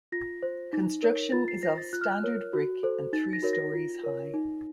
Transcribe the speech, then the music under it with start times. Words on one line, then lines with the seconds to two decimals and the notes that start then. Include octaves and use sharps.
Construction is of standard brick and three stories high.
0.12 F4 A#6
0.43 C5
0.73 D#4
1.03 A#4 C#5
1.32 F4 A6
1.48 C7
1.63 C5 A#6
1.78 A6
1.93 F4 F#6
2.01 F6
2.10 F#6
2.23 A#4 C#5
2.53 F#4
2.83 A4 C5
3.13 D#4 A6
3.33 A#6
3.43 F#4 A#4 C#5
3.53 A#6
3.73 F4
4.03 A#4 C#5
4.34 D#4